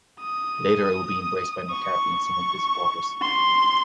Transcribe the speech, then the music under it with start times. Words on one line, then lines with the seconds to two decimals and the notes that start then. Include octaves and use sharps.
Later, it would be embraced by McCarthy and some of his supporters.
0.20 D#6
1.71 C#6
3.22 C6